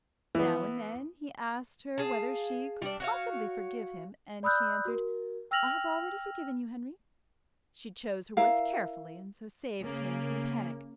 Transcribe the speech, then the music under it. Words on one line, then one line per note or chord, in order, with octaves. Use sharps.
Now and then he asked her whether she could possibly forgive him, and she answered, "I have already forgiven you, Henry." She chose her words carefully, and so saved him from panic.
E3 B3
G#4 F5 A5
G3 D4
F#4 C#5 F5
D5 B5 D#6 E6 F#6 G6
F#4 A#4
G5 E6 F6 A#6 F7 F#7
E4 A#4 F5
C#3 A#3